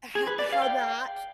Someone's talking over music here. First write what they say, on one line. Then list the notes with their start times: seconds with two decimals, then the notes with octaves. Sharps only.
ho how that,
0.15 G#4
0.27 B4
0.39 D5
0.53 F5
0.62 G5